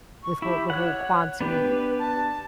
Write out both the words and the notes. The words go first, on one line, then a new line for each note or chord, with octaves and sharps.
with whole The whole quantum
C#6
E4 G4
C#5 F#5 F#6
B3 D4 G4 B4
A5